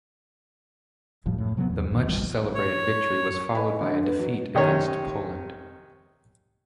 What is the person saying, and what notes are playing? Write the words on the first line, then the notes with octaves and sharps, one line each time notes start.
The much celebrated victory was followed by a defeat against Poland.
F#2 A2 F3 G3
A2
C3 F#3 G#3 B3
E2 G2
F#2 A#2 D#3
D#1 A#1 F3 G3
C#5
B4 D#5 G#5 B5
D3
B4
F#3
C3 D#3 C#4 C#5